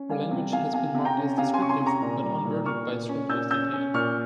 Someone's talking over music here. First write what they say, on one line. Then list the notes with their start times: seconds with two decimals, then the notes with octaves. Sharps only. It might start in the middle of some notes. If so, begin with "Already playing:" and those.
Her language has been marked as descriptive but unburdened by scrupulous detailing.
Already playing: C#4
0.09 G3 F5 G#5
0.31 C3
0.52 C3 F5 G#5
0.73 C3 F5 G#5
0.94 C3
1.05 G5 A#5
1.17 C#4
1.37 C3 F5 G#5
1.54 G#5 C6
1.59 C#4 C#6
1.69 G#5 C6
1.80 C3
1.86 A#5 C#6
2.02 A#2
2.23 G3
2.45 A#2
2.66 A#2 C#6 F6
2.88 A#2
3.09 C#4
3.29 A#2 E6 G6
3.51 C#4 E6 G6
3.73 C#4
3.94 A#2 C#6 F6